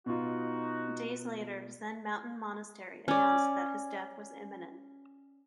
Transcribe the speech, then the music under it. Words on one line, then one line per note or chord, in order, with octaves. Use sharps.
Days later, Zen Mountain Monastery announced that his death was imminent.
B2 D#4 F4 F#4
C#4 D5